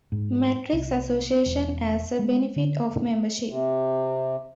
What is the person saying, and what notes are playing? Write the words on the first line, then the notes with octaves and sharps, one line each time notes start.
Metric Association as a benefit of membership.
G#2
C2
E1
G#3
D3
C3